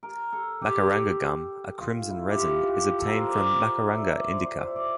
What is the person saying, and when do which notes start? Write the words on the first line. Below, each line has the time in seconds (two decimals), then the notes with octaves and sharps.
Macaranga gum, a crimson resin, is obtained from "Macaranga indica".
0.03 A#4
0.33 A4
0.62 G4
1.80 F4
2.10 E4
2.30 G4
2.39 F4
2.69 G4
2.99 A4
3.07 A#4
3.14 C5
3.28 D5
3.43 D5
3.58 D5
3.88 E5
4.17 D5
4.31 C5
4.47 C5
4.61 E5
4.76 D5